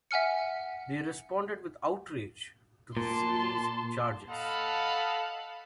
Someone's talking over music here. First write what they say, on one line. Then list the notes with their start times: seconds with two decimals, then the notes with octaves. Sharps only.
They responded with outrage to the series' charges.
0.11 E5 F#5 G#5 F6 C#7
2.97 A#2 A5 C6
4.30 A4 D#5 F5 F#5 A5 B5